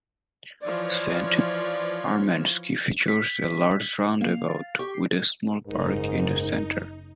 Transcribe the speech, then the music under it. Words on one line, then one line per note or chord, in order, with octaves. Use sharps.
Saint Armands Key features a large roundabout with a small park in the center.
E3 F3 C#5 D5
B6
A#3 F5
A6
G4 C#6
C7
F#1 G#2 C#3 D#4 A#4